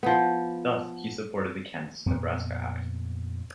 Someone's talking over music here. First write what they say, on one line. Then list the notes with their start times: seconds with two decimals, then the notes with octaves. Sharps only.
Thus, he supported the Kansas-Nebraska Act.
0.03 F3 B3
2.06 F2 A#2 B3